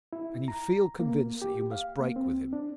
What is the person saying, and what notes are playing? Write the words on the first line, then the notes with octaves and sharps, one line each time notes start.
"And you feel convinced that you must break with him?"
E4
A#5
A#3
G4
F5
A#3
C4
D4